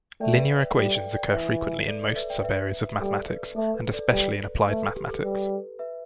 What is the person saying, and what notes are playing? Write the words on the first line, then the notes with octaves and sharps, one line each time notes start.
Linear equations occur frequently in most subareas of mathematics and especially in applied mathematics.
A3 D5 G5
D5
B4 E5
B4
G3 A4
D5 G5
D5 G5
E3 B4 E5
A4 D5
A4 D5
B4 E5
D5 G5
B4 E5
G3 A4 D5
B4
A3 A4
B4
A4 D5
G3 B4
A3 B4
A4
G4
A4
G3 B4
B4 E5